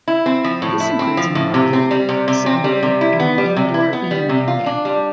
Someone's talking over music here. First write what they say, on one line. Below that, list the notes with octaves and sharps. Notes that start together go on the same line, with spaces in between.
This includes a market, Subway, and an indoor eating area.
E4
C4
F3
A2
E4
C4
F3
A2
C3
C4
G3
C3
C3
C4
G3
C3
E4
B3
G3
C3
E4
B3
G3
C3
F4
D4
G3